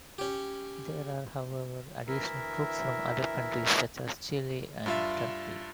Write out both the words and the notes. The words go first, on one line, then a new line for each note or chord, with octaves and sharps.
There are however, additional troops from other countries such as Chile and Turkey.
C#4 G4
D2 E3 E4 A#4 E5
G2 F4 E5